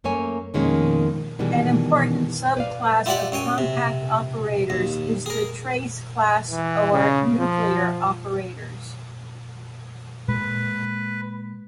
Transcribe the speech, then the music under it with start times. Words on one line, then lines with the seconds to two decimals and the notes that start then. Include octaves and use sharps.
An important subclass of compact operators is the trace-class or nuclear operators.
0.04 F#2 A3 A#3 C#5 G#5
0.54 F2 B2 D#3 G#3 A#3 C#4
1.39 B2 D#3 E3 G3 G#3 B3
2.57 B4 D5 F5
3.06 E4 F4 G4 D5 F#5
3.32 F#2 C#5 G5 G#5
3.58 C3
4.70 D#2
5.26 G#4 A#4
6.50 E3
6.92 C#3
7.39 F3
10.28 A#2 G#3 B4